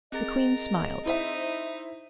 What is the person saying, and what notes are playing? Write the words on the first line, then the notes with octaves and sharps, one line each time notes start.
The queen smiled.
C4 G#4 A#4 D#5 A6
D#4 E4 C5 E5